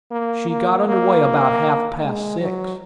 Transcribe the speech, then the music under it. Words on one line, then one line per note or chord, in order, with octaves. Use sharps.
She got under way about half-past six.
A#3
A#3
A#3
G#3
F#3